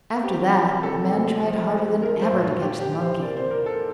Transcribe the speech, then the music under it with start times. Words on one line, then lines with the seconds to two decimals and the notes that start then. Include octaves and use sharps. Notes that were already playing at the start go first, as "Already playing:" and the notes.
After that the man tried harder than ever to catch the monkey.
0.24 C4 G4
0.52 C3
0.83 C3 A4
1.12 C4
1.42 F3
1.72 F3
2.02 F3 A#4
2.21 C5
2.32 A#2
2.41 F4
2.61 D4 G4
2.81 G4
2.91 E3
3.02 C5
3.21 A#3 D5
3.37 C5
3.51 A#3 A#4
3.66 A4